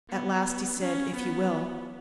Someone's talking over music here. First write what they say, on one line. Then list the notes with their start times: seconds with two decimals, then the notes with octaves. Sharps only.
At last he said, "If you will."
0.10 B3
0.80 C#4
1.16 B3